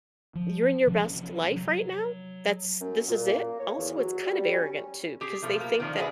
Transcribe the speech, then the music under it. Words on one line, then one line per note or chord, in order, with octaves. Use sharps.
you're in your best life right now? That's this is it?” Also, it's kind of arrogant, too, because they think that
F3
C3 F3 F#3 C#4
F#3
F#2
A#2
A#3
C#5
E2
F#3
G3
C#4
G4 G#4
B2 F3 A3
A#3
D#3 F3 D4
F#4 G#4 A#4 B4 E5